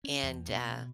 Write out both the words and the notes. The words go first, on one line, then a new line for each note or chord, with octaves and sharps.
and, uh,
C#4
E2
B2